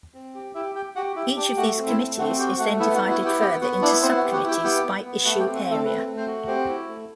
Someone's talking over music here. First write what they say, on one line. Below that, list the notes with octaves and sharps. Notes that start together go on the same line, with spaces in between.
Each of these committees is then divided further into sub-committees by issue area.
C4
G4
E4 G4 E5
G4 G5
F#4 G4 F#5
E4 G4 E5
D4 G4 D5
A3 F#4 F#5
C4
E4 E5
A3
C4 F#4 F#5
F#4 G4 G5
A3 F#4 F#5
B3 E4 E5
F#4 F#5
E4
F#4 F#5
B3
G4 G5
B3 G4 G5
B3 F#4 F#5
D4 E4 D5
B3 C4 C5
F#4 F#5
G4
F#4 F#5
E4 G4 G5
B3 G4 G5
B3
B3
A3 F#4 F#5
G4 G5
C4
F#4 F#5
A3
A4
C4 B4
A3
C4 C5
F#4
C4 G4 C5
E4
A3